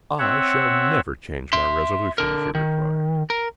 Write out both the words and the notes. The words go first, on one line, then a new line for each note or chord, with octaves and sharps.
"I shall never change my resolution," she replied.
C4 C#5 E5 F#5
E5 C6
D3 A#4
D#3
A#4